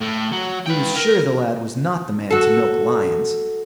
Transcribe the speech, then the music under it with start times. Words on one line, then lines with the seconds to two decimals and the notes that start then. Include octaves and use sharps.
He was sure the lad was not the man to milk lions.
0.01 A2
0.32 F#3
0.66 B4 G5
0.97 A#4
2.30 F#4 A4